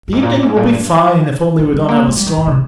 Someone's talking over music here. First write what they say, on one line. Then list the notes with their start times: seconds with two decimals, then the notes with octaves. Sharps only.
The evening will be fine, if only we don't have a storm.
0.08 G2
0.12 G#2
0.23 A#2
0.32 G2
0.43 G#2
0.56 A#2
0.71 G2
1.59 F3
1.74 G3
1.88 A#3
2.07 G#3
2.17 G3
2.26 D#3
2.37 G#2
2.47 C3